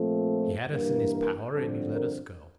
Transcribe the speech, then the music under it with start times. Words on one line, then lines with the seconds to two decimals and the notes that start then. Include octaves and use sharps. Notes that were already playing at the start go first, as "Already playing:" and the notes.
He had us in his power and he let us go.
Already playing: A#2 F3 A3 C4
0.68 G2 E3 A#3
1.10 A#4
1.52 G2 D3 F3 C4 A4
1.95 A#4